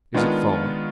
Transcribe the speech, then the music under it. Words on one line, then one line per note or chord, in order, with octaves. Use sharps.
"Is it far?"
D#3 G#3 B3 D4 F4